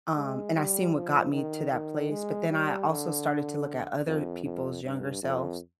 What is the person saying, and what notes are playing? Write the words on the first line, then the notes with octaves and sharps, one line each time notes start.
Um, and I seen what got me to that place, but then I also started to look at other people's younger selves,
G#3
G3
F3
D#3
D#3
G#3
G3
D3
F2
F2
G2
F2